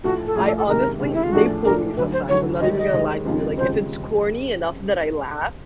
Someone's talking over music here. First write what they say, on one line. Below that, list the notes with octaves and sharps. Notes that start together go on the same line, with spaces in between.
I, honestly they pull me sometimes. I'm not even gonna lie to you. Like, if it's corny enough that I laugh,
A#1 A2 F3 A3 F#4
A4
A#1 A2 F3 A3 G#4
A4
A4
C#2 C3 D#3 A#4
C#2 C3 D#3
E4
F4
A#1 A2 F3 A3 D4 F#4
A#1 A2 F3 A3 D4 A#4
D2 D3 F#3 B4
C5
D2 D3 F#3 C#5
D#2 D#3 G#3 D#5
D#5
D#2 D#3 G#3
D#2 C#3 F3 G#3 C4
D#2 C#3 F3 G#3 C4 C5